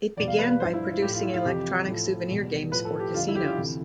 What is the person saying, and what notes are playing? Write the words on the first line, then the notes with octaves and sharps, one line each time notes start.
It began by producing electronic souvenir games for casinos.
E2 B2 G3 D5
F5
B4
B4
F3 C5
G2
E4
F4
A2 F3 G4
F4
E4
F4
F2 C3 E3 G4
A2 F3
E2 B2 G3
A2 F3 B4
A4
G4
F2 D3 G3 F4
E4
G4
F4
D2 C3 E3